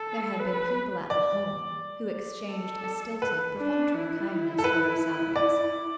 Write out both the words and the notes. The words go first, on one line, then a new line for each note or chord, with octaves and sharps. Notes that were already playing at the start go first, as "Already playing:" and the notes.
There had been people at the Home, who exchanged a stilted, perfunctory kindness for their salaries.
Already playing: A4
B4
D5
A4
B4
D4
E4
A4
B4
D5